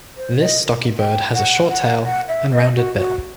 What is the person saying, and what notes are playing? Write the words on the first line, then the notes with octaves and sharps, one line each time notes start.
This stocky bird has a short tail and rounded bill.
C5
D#5
G5
F#5
F#5
F#5
E5
D#5
F#4
F#4